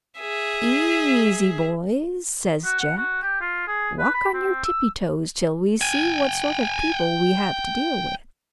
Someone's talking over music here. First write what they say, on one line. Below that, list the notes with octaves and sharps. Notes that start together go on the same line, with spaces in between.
"Easy, boys!" says Jack; "walk on your tippy toes till we see what sort of people we have to deal with."
G#4 E5
F#4
F#5
F#4
G4
F4
G#4
B4
B5
C4
E6
G5 G#5